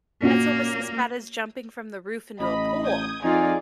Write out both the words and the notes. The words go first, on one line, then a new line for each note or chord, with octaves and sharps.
That's almost as bad as jumping from the roof into a pool.
A#2 A#3 C#4 F#4
A1 D#5 B5
D#6 G6 G#6
F2 D#4 F4 G#4 D5 G#5